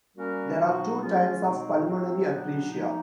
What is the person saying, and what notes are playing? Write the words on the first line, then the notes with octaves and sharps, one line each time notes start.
There are two types of pulmonary atresia.
G3 A#3 C#4 F#4 A#4
B2 F#3 B3 D#4 F#4
F#3 A3 C#4 F4 G#4
B2 G#3 C4 D#4 F#4
A2 F#3 A3 C4
B2 F#3 B3 D4
F3 A#3 D#4